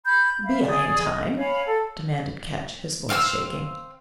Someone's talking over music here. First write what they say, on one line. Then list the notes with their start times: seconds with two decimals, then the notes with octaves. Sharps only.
"Be I in time?" demanded Ketch, his voice shaking.
0.05 B5 G6
0.44 E5 F5 B5
0.65 G#4 D5
1.05 D#5
1.37 C#5 F5 G#5 B5
1.66 A4
3.09 C4 F5 G5 E6